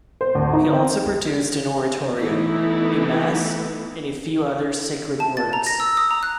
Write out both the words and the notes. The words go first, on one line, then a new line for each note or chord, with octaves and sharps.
He also produced an oratorio, a mass, and a few other sacred works.
C5
D2
D#4
C4
E3 A3 B3 D#4 E4
A5
A6
A#5
A#6
E6
D#6
A#5
F#6